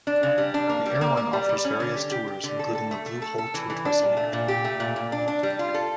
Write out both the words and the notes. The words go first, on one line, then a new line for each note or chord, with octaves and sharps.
The airline offers various tours, including the Blue Hole tour twice a week.
D4
C#3
G3
D4
A#3
G3
A#3
A#3
G3
G3
C#4
D3
G4
G4
G4
D3
A4
A4
A3
A3
A4
A4
E3
E3
D4
A#2
A3
A#2
G4
A3
A#2
A#2
D4
D4
G3
F4
A4